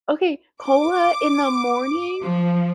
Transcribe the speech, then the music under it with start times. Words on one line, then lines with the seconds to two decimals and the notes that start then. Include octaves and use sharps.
Okay, cola in the morning?
0.63 D6
2.23 F3